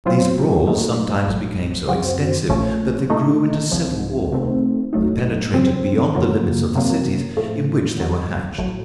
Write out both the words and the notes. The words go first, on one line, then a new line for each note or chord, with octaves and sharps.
These brawls sometimes became so extensive that they grew into civil war, and penetrated beyond the limits of the cities in which they were hatched.
A2 F#3 C4 F4 C5
A#2 F#3 A3 D#4
A1 A2 F#3
F#2 F3 C4 F#4 C5
A#1 A#2 F3 A3 C#4
A#2 A3 D#4
C2 C3 F3
C3 D#3 A3 C4
A1 A2 F#3 A3 D#4
F#2 C#3 F3 C4
F#2 C#3 F#3 A#3 F4
C3 F#3 A#3
A2 F3 A3
F#2 D#3 F#3
A1 A2 F#3 A3